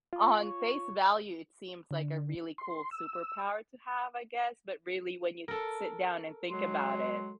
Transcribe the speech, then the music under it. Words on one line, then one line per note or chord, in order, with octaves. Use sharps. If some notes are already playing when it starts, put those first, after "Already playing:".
on face value, it seems like a really cool superpower to have, I guess, but really, when you sit down and think about it,
F4
C#5
D3
C6
E6
A4 A#4
F#3 G#3 C6